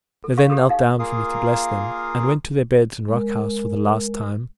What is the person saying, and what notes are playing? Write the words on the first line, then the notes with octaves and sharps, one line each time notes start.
They then knelt down for me to bless them, and went to their beds in Rock House for the last time.
A4
F5 C#6
G4 A4 D#6
D#4 F5
A#3 F4 G#4 A#4 F5 D#6
G#3 A#4